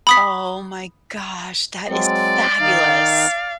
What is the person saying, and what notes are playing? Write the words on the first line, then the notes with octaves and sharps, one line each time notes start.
Oh my gosh, that is fabulous!
B5 D#6 B6
F#3 G#3 C4 D5
D#3 D#4 F5